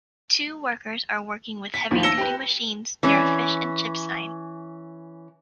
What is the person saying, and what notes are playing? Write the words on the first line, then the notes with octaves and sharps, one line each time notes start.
Two workers are working with heavy duty machines near a fish and chip sign.
B6
A1 D#2 D#3 F3
A5 E6 A#6 C#7 E7 G7
G4 B4
E3 C#4